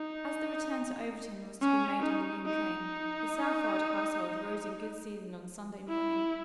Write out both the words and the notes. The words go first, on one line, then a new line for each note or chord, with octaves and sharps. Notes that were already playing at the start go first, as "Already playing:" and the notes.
As the return to Overton was to be made on the noon train, the Southard household rose in good season on Sunday morning.
Already playing: D#4
C#4
D#4
D#4
E4